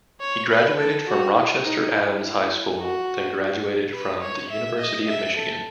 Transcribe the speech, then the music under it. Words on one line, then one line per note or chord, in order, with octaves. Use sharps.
He graduated from Rochester Adams High School, then graduated from the University of Michigan.
C#5
B4
A4
F#4
E4
D#4
E4
E4
F#4
B4
C#5
E5
D#5
E5
A4